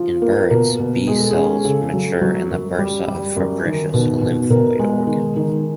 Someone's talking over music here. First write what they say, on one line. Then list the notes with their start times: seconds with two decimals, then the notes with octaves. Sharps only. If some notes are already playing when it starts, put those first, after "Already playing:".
In birds, B cells mature in the bursa of Fabricius, a lymphoid organ.
Already playing: F3
0.22 A#3
0.50 B2 A#4
0.79 B2
1.07 G#3 G#4
1.19 A4
1.31 G#4
1.36 C#4
1.65 C#3 A4
1.94 F#3
2.21 F#3
2.51 F#2
2.79 G3
3.08 G3
3.36 F#2
3.65 D#3
3.94 B2
4.21 B2
4.50 B2 A#4
4.79 G#3
5.07 D#3
5.36 D#3